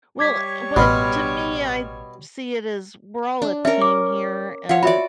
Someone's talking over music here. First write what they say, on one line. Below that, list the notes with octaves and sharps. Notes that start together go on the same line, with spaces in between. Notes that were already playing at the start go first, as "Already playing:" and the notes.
Well, what to me, I see it as we're all a team here, and
G3 C#5 D6 G#6 B6
A1 B2 B5 C6 F6
D4
C#4 A#4 E5
D6
F3 C#5 F5 F#5
F#4 D5 E5 B5